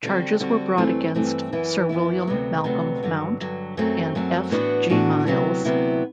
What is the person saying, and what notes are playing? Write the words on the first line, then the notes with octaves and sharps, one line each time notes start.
Charges were brought against Sir William Malcolm Mount and F. G. Miles.
D3 G3 C4 F#4
D3 G3 C4 F#4
G2 E3 A3 C4
G2 E3 A3 C4
F#2 E3 B3 E4
F#2 E3 B3 E4
D2 C3 F#3 B3
D2 C3 F#3 B3
G2 D3 F#3
G2 D3 F#3
F#2 F#3 A3 C4
F#2 F#3 A3 C4
A2 E3 B3 D4 F#4
A2 E3 B3 D4 F#4
D2 C3 F#3 B3 E4
D2 C3 F#3 B3 E4